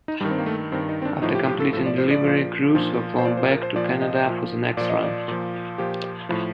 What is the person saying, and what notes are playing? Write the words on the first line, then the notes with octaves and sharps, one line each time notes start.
After completing delivery, crews were flown back to Canada for the next run.
D#4
G2 D#3 G3
C4
A#3
A3
G2 D#3 C4
D#4
C4
D4
A2 F3 D#4
G4
G4
A4
A2 F3 A4
D5
C5
D5
A#2 F3
A#2 F3
C5
A#2 F3 D5
C5
A#4
C5
A#2 F3 D5
D#5
A#2 F3
A#2 F3 D5
D#5
D5
A#2 F3
A#2 F3 G4
A2 F3